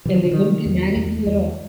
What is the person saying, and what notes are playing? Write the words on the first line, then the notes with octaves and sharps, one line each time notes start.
And they wouldn't get mad at you at all.
C3 E3
D#3
D3
C3 D#3
E2
E2
E2